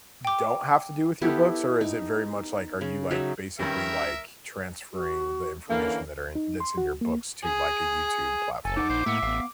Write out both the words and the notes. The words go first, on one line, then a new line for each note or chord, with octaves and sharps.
don't have to do with your books? Or is it very much like, are you, like, basically, like, transferring the information that are in that's in your books to, like, a YouTube platform?
G5 D6
B3 E4 G4 A4
D#4
C#3
C#3 F#3 D#4 E5
G2 D#3 C#4 G4 A#4 B4 E5
F#4
D3 E3 A#3 C#4
D#4
C6
F#4
A#3
G#4
F#1 A4 G#5
D#4 F#5 D6
A#1 C5
A2 A#3 E5 F#5
A1 B3 F5